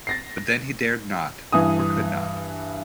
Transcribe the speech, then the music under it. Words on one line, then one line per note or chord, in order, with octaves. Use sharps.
But then he dared not — or could not.
A6 A#6 C7
G2 E3 G#5 D#6